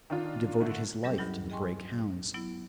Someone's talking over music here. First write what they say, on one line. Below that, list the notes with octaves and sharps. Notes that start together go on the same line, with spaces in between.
He devoted his life to the Brake Hounds.
D#3 D4 F4
D3 A3
F#3 G3 C#4 G4 A4
D2 G2 F#3 E4 G6
G#4 D#5 G5 G#5 C6 C#6
F#3 B3 E4